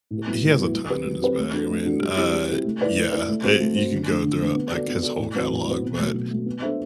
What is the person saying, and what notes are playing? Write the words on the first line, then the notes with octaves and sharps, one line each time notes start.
He has a ton in his bag I mean, uh, yeah. It You can go throughout, like, his whole catalog, but
A2
F#3 B3 E4
A2
F#3 B3 E4
F#3
C4 G4 B4
F#3
C4 G4 B4
A3
D4 F#4 A4
A3
D4 F#4 A4
G3
C4 E4 G4
G3
C4 E4 G4
A3
E4 B4 D5
A3
E4 B4 D5
A3
C4 F#4 C5
A3
C4 F#4 C5
D3
A3 D4
D3
A3 D4
B3
F#4 A4 D5
B3
F#4 A4 D5
A2
F#3 C4 F#4 B4
A2
F#3 C4 F#4 B4
B2
F#3 A3
B2
F#3 A3
B3
D4 A4 C5 E5